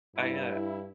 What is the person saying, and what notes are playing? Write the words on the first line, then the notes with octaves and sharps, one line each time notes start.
I, uh
G2 E4